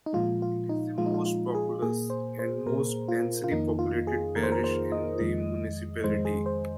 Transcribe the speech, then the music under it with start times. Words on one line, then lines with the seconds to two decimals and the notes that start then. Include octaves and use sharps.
It is the most populous and most densely populated parish in the municipality.
0.06 D#4
0.13 A#2 F3 G#3 F4
0.42 F4
0.69 D#4
0.98 A#2 F3 G#3 F4
1.06 D#4
1.14 F4
1.26 F4
1.55 G#4
1.82 A#2 A#3 G#4
2.10 C5
2.39 C5
2.66 A#2 A#3 A#4
3.08 F4
3.44 F4
3.51 F2 D#3 A#3 D#4
3.79 F4
4.07 G#4
4.36 F2 D#3 A#3 A#4
4.43 C5
4.52 A#4
4.64 C5
4.92 D#5
5.20 F2 D#3 G#3
6.04 F2 D#3 G#3 C5
6.25 G#4
6.46 C5